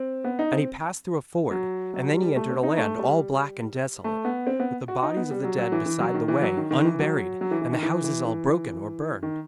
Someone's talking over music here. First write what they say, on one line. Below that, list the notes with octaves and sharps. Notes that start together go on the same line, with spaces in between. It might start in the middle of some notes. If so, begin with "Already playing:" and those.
And he passed through a ford, and then he entered a land all black and desolate, with the bodies of the dead beside the way, unburied, and the houses all broken or burned.
Already playing: C4
B3
D#4
C4
F#3
F#3
G3
G3
A3
C4
D#4
A3
G3
A3
B3
C4
B3
F#4
D#4
B3
G3
F#3
F#3
E3
E3
F#3
D#3
E3
F#3
D#3
D#3
E3
F#3
F#3
E3
E3
D#3
E3
E3
E3
D#3